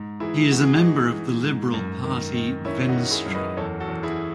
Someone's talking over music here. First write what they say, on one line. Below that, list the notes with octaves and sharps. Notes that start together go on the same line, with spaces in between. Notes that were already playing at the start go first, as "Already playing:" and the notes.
He is a member of the liberal party "Venstre".
Already playing: G#2
E3 E4 G#4
E3 F#4
G#4
D#4 F#4
E3
E3
G#2
F#2
D#3
D#3
D#3 C#4 E4
D#4 F#4
D#3
E4 G#4
F#2
B4 D#5
E2 A4 C#5
F#4 A4
E2
E4 G#4